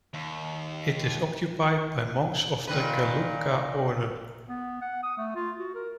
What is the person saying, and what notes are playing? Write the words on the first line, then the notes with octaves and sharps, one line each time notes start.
It is occupied by monks of the Gelukpa order.
D#2
A#2 D#3 B4
B3
F#5
D#6
A3
F4
F#4
A#4